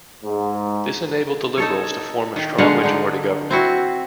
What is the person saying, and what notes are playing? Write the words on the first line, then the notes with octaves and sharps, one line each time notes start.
This enabled the Liberals to form a strong majority government.
G#2
D#4 A4 C#5
D#3
D3 G#3 F5 F#5
D3 D#4
C4 E4 F#4